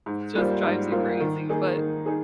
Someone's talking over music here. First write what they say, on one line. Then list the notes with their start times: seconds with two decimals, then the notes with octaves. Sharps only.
just drives you crazy, but
0.06 G#2
0.35 G3 A#3 F4 C5
0.63 G#2
0.92 G3 A#3 F4 C5
1.20 D#3
1.49 A#3 D#4 G#4
1.77 D#3
2.06 D#4 G#4